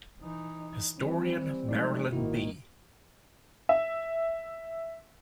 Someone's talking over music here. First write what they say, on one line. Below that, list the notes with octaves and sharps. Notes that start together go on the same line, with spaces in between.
Historian Marilyn B.
E3 D#4
E3 G3 C4
F3 G#3 A3 D#4 D5
G#1 A#2 D#3 A#3 E4 F#4
E5